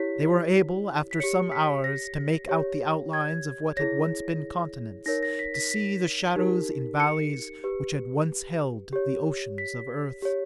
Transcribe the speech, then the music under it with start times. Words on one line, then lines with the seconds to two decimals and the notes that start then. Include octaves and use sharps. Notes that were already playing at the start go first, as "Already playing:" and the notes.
They were able, after some hours, to make out the outlines of what had once been continents, to see the shadows in valleys which had once held the oceans of Earth....
Already playing: E4 G4 C#5 B6
1.11 B6
1.20 G4 C#5 C#7
1.52 B6
1.84 A#6
2.49 G4 C#5
3.13 G#6
3.77 E4 G#4 C#5 A#6
5.06 D#4 A#4 C#5 A#6
5.23 A#6
5.39 B6
5.54 B6
5.71 B6
6.36 D#4 G4 A#4
7.00 C#7
7.64 G4 B4
8.93 G4 C#5
9.58 B6
10.22 G4 C#5